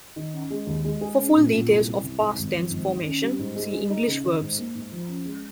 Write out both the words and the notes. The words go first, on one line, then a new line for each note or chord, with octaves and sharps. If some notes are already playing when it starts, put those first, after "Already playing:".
For full details of past tense formation, see English verbs.
D#3
C#4
G#3
D#2
G#3
G#4
C#4
A#2
A#2
C2
G3
C2
G#2
G#1
F3
G#1
D#3
C#4
G3
G#2
G#3
G#4
D#4
C#3
D#3
G#2
A#3
G#2
F3
C#4
G#3